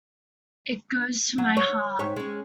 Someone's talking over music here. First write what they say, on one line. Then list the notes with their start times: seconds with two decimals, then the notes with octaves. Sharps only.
It goes to my heart.
1.38 F#3
1.57 C#5
1.99 G#2 G4 C#5
2.16 G#3 C#4